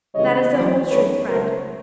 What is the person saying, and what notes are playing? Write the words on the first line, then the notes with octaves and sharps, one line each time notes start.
That is the whole truth, friend.
C#2 C#3 E3 G3 C#5 D#5
E2 B2 F#3 C5 D5
F#2 D#3 F#3 A3 B4 C#5
C#2 B2 F#3 A3 A#4 C5